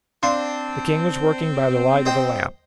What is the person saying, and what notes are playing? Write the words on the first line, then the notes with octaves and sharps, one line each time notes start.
The king was working by the light of a lamp.
C4 D4 F5 C6
C5 D#5 G5